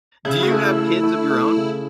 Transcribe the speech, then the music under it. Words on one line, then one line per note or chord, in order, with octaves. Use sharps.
Do you have kids of your own?
C#3 E4
F#4
A3 E4
A3
A3
A3
C#3